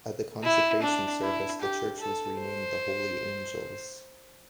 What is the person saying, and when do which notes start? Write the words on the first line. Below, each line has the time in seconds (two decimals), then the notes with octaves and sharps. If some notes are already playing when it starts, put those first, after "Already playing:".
At the consecration service the church was renamed 'The Holy Angels'.
0.44 E4
0.83 D4
1.22 E4
1.61 G4
2.00 A4
2.40 C5